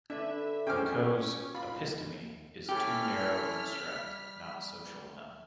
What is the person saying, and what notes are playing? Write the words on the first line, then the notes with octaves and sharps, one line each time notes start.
Foucault's 'episteme' is too narrow and abstract, not social enough.
D3 D4 B4 E5
C#4 G#4 C5 G5 D6 F6
D#4 F4 B5
C#4 E4 G4 A4 F6 B6
G3